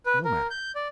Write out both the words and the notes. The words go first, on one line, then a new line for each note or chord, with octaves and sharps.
No matter!
B4
A#4
G6
D5